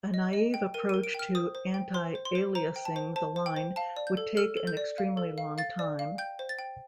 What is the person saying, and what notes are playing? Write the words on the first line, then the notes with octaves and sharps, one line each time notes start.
A naive approach to anti-aliasing the line would take an extremely long time.
D#5
D#5
G5
A#4 D#7
D#7
A#4
D7
G5 F6
C5 D#6
C5
G5
C5 C6
C5
C6
C5
C5 A#5
G5
A5
C5
C5 A5
C5
G5
C5
F5 A5
D5
G6
A4
A4 F6
A4
G6
D5
F5
A4
F5
F5 A6
D5
F5
G5 G6
C5
A6
G5